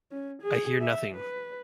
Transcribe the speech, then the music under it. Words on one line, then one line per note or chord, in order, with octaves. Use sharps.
I hear nothing!
C#4
G#4
E5
B4